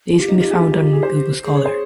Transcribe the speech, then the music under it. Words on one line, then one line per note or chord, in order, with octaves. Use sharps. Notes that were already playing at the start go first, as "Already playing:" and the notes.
These can be found on Google Scholar.
F4 G4
D#4
F4 G4
G#4
F4
D#4
F4
G#4
C5
G#4
C#5
C5